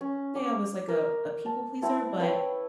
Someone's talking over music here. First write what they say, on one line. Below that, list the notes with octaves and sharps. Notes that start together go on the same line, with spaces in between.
say I was like a a people pleaser, but
C#4
D6
A#4
A5
C4 E4 A5
B4 C#5 G5